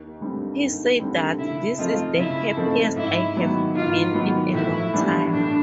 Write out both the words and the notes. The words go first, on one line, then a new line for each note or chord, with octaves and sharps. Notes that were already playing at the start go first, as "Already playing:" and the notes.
He said that, This is the happiest I have been in a long time.
Already playing: D#2
D3 G3 C4
D#2
D3 G3 C4
C#3 E4
F3 A3 C4 D#4 F4
C#3 E4
F3 A3 C4 D#4
G#2 E4
D#3 F#3 B3
G#2 F4
D#3 F#3 B3
A2 E4
E3 G3 B3 D4
A2 D4